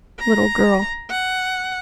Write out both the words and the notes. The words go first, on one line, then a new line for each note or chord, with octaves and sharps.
Little girl.
A#5
F#5